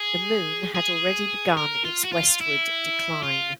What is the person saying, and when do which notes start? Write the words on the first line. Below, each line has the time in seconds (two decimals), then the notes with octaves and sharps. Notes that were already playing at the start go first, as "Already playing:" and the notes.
The moon had already begun its westward decline.
Already playing: G#4
0.75 G#4
1.57 A#4
1.84 F4
2.04 F#4
2.12 F4
2.41 E4
3.22 F4